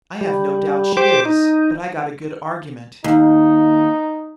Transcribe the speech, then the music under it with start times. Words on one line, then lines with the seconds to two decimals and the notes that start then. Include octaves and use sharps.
"I have no doubt she is, but I got a good argument."
0.21 G3
0.97 G4 C5 D6
1.25 D#4
3.04 D#2 D#4